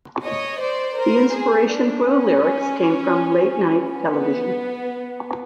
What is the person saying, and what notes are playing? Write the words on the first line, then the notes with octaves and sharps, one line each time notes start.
The inspiration for the lyrics came from late-night television.
C#5 D#5
C5 D5
A#4 C5
G#4
D4
C#4
B3